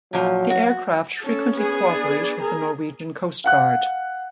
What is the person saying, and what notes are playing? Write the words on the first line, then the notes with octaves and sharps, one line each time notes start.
The aircraft frequently cooperate with the Norwegian Coast Guard.
A#2 F3 F#3
F#4
C#4 A4
B3 G#4
D4 D5
G#4 A#4
F5 F#5 F#6